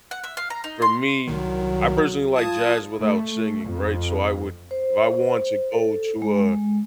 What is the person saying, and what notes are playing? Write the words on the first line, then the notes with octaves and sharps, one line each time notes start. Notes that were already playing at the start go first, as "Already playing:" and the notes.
for me, I personally like jazz without singing, right? So I would If I want to go to a
F#5
E5
F5
A#5
D#4
C6
C2 D#3 F#3
F4 A5 D#6 G#6
A3
F2
C5
A4
G#3